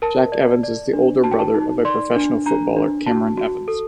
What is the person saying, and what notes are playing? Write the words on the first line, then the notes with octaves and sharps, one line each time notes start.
Jack Evans is the older brother of professional footballer Cameron Evans.
A#4 A5
D5
D5
D4
F#4 A5
G5
A5
D#4
D5 C6
D4
D4 A#5
D4
F#4 A5
F#4
A4